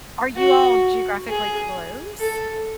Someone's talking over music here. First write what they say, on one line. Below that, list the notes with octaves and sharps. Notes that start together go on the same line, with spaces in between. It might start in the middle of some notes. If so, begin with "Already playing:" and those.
Are you all geographically close?
F#4
G#4
A4